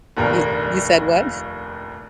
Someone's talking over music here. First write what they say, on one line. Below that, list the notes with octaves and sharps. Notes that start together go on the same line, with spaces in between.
You you said what?
F1 A#1 D#2 A#4